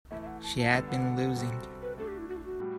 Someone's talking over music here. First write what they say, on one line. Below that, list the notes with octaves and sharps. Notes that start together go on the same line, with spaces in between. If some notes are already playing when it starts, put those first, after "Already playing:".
She had been losing.
E3 A3 E4 E5
E5
F#5
A5
A5
D3 G3 B3 D4 A4
F#5
C3 G3 C4 F#4 A4
B4
A3 D4 F#4 A4
G4
E4
F#4
E4
F#4
A2 G3